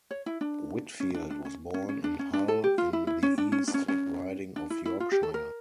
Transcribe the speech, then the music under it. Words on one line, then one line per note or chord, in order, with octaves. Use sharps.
Whitfield was born in Hull in the East Riding of Yorkshire.
C#5
E4
D4
C#4
D4
D4
C#4
C#4
C#4
D4
C#4
D4
A4
G4
F4
E4
E4
C#4
D4
C#4
D4
C#4
C#4
D4
E4
E4
F4
G4
A4
A#4